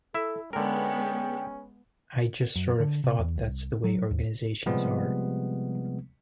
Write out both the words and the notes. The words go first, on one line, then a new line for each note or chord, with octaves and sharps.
I just sort of thought that's the way organizations are.
E4 A4 E5
D3 G#3 B3 C#4 A#4 G5
F#2
D3
C3
E2
C2
F#3
D#2
C3 F3 G3 G#3 B3 C4